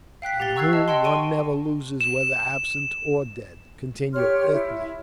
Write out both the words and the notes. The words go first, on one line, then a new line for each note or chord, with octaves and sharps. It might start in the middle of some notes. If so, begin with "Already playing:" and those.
"And whom one never loses whether absent or dead," continued Ethne.
F5 G5 F#6 B6
G4 F#5 A6 G7
A#5 C#6 E6 F#6 G#6 C7
D#5 A5
D#5 F#5 G5 A5 C6
C6 C#6 D7 D#7
E7
G4 C#5 C6 F6
E4